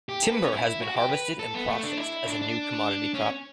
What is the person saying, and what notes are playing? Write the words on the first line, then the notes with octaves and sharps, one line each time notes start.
Timber has been harvested and processed as a new commodity crop.
G4
A4
B4
C#4
E4
F#4
G4
B4
A4
B3
A3
D4
E4
D4
D4
C#4